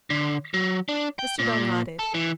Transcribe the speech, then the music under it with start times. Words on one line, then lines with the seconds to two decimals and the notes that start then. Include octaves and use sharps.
Mr. Bell nodded.
0.10 D3
0.54 F#3
0.89 D4
1.19 G5
1.39 A#2
1.99 A4
2.14 E3